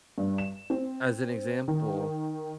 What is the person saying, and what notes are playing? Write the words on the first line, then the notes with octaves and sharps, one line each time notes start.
as an example
G2
E7
C4
D#3